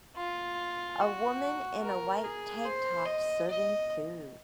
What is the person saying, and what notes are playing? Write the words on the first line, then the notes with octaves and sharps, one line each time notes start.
A woman in a white tank top serving food.
F4
F#4
A#4
G#4
C5
D#5
D#5